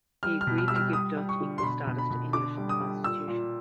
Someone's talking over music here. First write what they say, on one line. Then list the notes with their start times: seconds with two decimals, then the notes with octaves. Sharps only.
He agreed to give Dutch equal status to English in the constitution.
0.23 G3 F6
0.41 F6
0.47 B2
0.58 F6
0.68 G3 E6
0.76 F6
0.93 G3 D#6
1.17 G3
1.29 C#6
1.41 D3
1.58 C6
1.63 B2 B5
1.87 B2
1.98 B5
2.10 B2
2.33 D3 D6
2.57 G3
2.69 D#6
2.81 G3
3.04 A#2 E6
3.28 A#2